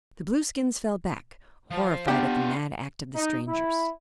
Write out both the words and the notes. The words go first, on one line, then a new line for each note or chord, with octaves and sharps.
The Blueskins fell back, horrified at the mad act of the strangers.
F3
B3 D4 F4 G4 F#5
D#4
E4